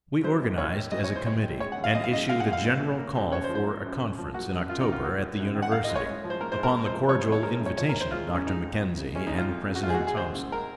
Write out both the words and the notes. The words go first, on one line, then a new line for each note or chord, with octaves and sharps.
We organized as a committee, and issued a general call for a conference in October at the university, upon the cordial invitation of Dr. McKenzie and President Thompson.
F#3 C5
D#2
D#2 C#5
D#3
F#3 D#5
C#5
D#2
C5
D#2 C#5
D#3
G#3 C#5
F#5
D#2
F5
D#2 D#5
F5
C#3 D#5
G#3 F5
F#5
D#2
F5
D#2
C#3
A#3
F#2
F#2 C#5
C5
F3
C5
A#3
F#2
F#2
F3
A#3 F#4
F#2
F#2 F4
D#4
D#3
F4
A#3 F#4
F#2
F#2
D#3
F#5
A#3 F5
D#5
G#2
C#5
G#2
F3
C5
A#3 A#4
C5
G#2
A#4
G#2
C5
F3
F3 C#5
C5
D#2
C#5
G#3 A#4
A#4
C#3
C#5
F3 C#5
A#4
D#2
C5
G#3 F4
C#3 C#4
G#3 D#4
F2
F2
C#3
G#3 C#4
F2 D#4
F4
F2
C#3
F#4
G#3 F4
G#4
F#4
D#2
G#4
D#2 C5
C#3
G#3 A#4